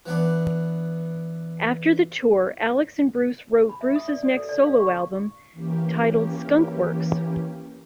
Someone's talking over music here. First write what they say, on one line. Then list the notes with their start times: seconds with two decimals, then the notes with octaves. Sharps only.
After the tour, Alex and Bruce wrote Bruce's next solo album, titled Skunkworks.
0.06 E3 B3 D4
3.69 B5
3.81 E5
3.96 D#6
4.08 D5
4.23 D5
4.37 A4
4.49 D5
4.66 F5
4.79 C#6
5.52 E3 A#3 C#4 G4